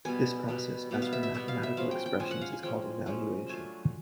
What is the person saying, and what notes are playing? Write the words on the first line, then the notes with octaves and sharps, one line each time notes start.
This process, as for mathematical expressions, is called evaluation.
B2 G3 B3 G#5
B2 G3 B3
B2 G3 B3
F5
E5
E5
B2 G3 B3 E5
F5
E5
F3 G#3 C#4 F5
G5
G5
F3 G#3 C#4 G#5
F#5
F5
G#5
F3 G#3 C#4 G5
F3 G#3 C#4
F#3 A3 D4 F4 G#5